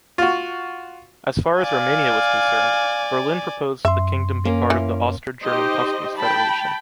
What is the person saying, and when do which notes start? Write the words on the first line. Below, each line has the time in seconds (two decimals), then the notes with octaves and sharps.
As far as Romania was concerned, Berlin proposed that the kingdom be part of the Austro-German customs federation.
0.18 F4 F#4
1.58 D5 F5 G#5
3.85 F#2 E5 C6
4.45 A#3 C#4
4.70 E3
5.43 D#4 G4 C5 D#5
6.18 G5 A5 B5